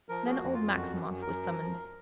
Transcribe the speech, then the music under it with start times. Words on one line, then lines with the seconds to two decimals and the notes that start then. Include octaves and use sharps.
Then old Maximov was summoned.
0.09 F3 A#4
0.26 A#3 G#4
0.31 F#4
0.43 F2
0.54 F2 F4
0.76 F#2 F#4
0.93 F#2
1.09 F#2
1.21 A#4
1.27 F#2
1.43 F3
1.60 F3